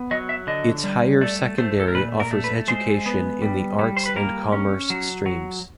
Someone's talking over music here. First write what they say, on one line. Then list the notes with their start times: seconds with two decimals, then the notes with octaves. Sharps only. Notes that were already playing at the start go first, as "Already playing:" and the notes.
Its higher secondary offers education in the Arts and Commerce streams.
Already playing: B3
0.11 F#3 D#5
0.29 E5
0.47 D3 D#5
0.84 G3
1.21 A3 D5
1.58 A3 C5
1.80 A4
1.88 A#4
1.94 A#2 B4
2.20 A#4
2.31 A3
2.44 B4
2.68 G#3 C5
3.06 B3
3.42 G3
3.79 G3
3.97 C5
4.06 B4
4.16 A#3 A#4
4.52 C#4
4.90 F#3
5.26 F#3